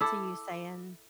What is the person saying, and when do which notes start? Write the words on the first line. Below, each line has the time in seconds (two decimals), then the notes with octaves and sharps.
to you saying,
0.01 E4 A4 D6 E6